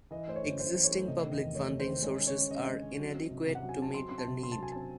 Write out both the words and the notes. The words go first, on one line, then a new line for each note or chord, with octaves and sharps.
Existing public funding sources are inadequate to meet the need.
E3 D#5
A3 C5
C#5
F#2
F#2 C5
E3
C#5
A3
C3 D#5
D#3
D#5
E2
A3 C#5
C3
C5
D#3
G#3 C#5
C#4
C#5
C#3
C#3 D#5
G#3
C#4
F#3
C4
C3
C3
F#5
F#3
G#5
C4 A5
F#3 C6
C4 C6
A5
C3
C3 C6
A5
F#3 G#5
C4 A5